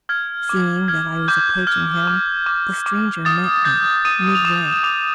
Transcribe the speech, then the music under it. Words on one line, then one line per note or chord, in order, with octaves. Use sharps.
Seeing that I was approaching him, the stranger met me midway.
F6 G#6
D6
F6 G#6
D6 G6
F6 G#6
D6
D6
D6
D#6 A6
G6 A6
D#6 D#7
F7
D#6 E7
E7
D6 F7